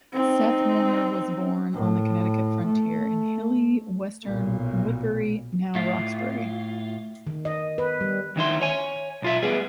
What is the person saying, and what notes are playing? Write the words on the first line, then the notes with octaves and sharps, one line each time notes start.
Seth Warner was born on the Connecticut frontier in hilly western Woodbury, now Roxbury.
C4 D#4
A2
A3
B1 A#2
A2 F4
D#3
D#5
B4
G3
D2 D#3 E4 C6
C#5 G#5
B1 F4 E5
G3 B3 G#4